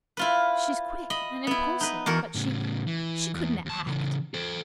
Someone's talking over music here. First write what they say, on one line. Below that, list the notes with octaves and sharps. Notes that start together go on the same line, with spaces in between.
She's quick and impulsive, but she--she couldn't act.
E4 F4 B4
D#5 B5
B3 E4
D#4 B4
E2 F#4 A#4
A2 C#3
E3
E2
D#2 A5
C#3 E3
A4 C5